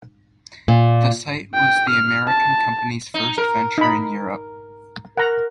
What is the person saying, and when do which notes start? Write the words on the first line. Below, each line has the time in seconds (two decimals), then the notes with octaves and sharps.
The site was the American company's first venture in Europe.
0.68 A#2
1.54 G5
1.90 F6
2.28 A5
3.14 D#4
3.38 A#4
3.78 D#4 B5
5.17 A#4 F#5 A#5